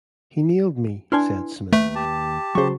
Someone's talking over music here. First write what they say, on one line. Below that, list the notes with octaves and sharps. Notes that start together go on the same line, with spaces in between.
"He nailed me," said Smith.
D4 E4 B4 G#5 C6 F6
D#2 A3 B4
G4 A5
C#3 F#3 C5 C#6